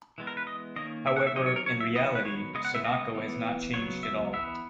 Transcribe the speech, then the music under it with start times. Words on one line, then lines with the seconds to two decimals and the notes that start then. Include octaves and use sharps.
However, in reality Sunako has not changed at all.
0.18 E3 G#3 B3
0.27 A#4
0.37 B4
0.47 D#5
0.76 D#3 A#3 C#4 D#5
1.07 E5
1.16 F#5
1.27 E5
1.36 D#3 F#3 C#4 D#5
1.46 C#5
1.56 A#4
1.66 C#5
1.80 E5
1.95 D#3 F#3 B3 D#5
2.15 B4
2.25 C#5
2.54 C#3 G#3 B3 D#5
2.65 F#5
2.75 E5
2.85 D#5
3.14 E3 B3
3.74 C#3 F#3 B3 C#5
4.03 E5
4.33 E3 B3 E5